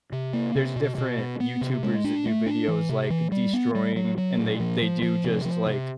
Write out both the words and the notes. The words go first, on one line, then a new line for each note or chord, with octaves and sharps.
there's different YouTubers that do videos like destroying and they they do just, like,
C3
A#3
C3
B2
B2
B3
B3
C3
G#3
D4
A3
D4
E3
C3
E3
G3
B3
G3
F#3
F#3
A#2
F3
F3
F3
C3
F3
C3